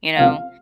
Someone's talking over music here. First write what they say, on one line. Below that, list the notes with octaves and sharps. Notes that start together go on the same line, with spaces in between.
you know?
C#2 C3 F3 A#3 F5